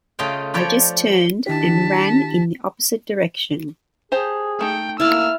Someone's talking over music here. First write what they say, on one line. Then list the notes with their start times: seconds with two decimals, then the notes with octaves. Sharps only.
I just turned and ran in the opposite direction.
0.19 C#3 A3 F4 D#5 F5 G5
0.54 F3 C#5 D5 G5 B5
1.47 D#3 D4 E4 G4 A5 B6
4.12 G4 G#4 C5 A5
4.61 A3 D#4 G5
5.00 A#3 E4 A5 E6 F6